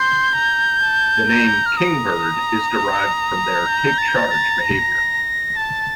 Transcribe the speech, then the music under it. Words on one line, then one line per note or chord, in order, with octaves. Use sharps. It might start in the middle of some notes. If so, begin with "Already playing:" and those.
The name "kingbird" is derived from their "take-charge" behaviour.
Already playing: C6 G6
A#5
A5
A#5
F6
A#5 D#6
D#6
G6
A6
G6
A6
A6
A#6
A5 A6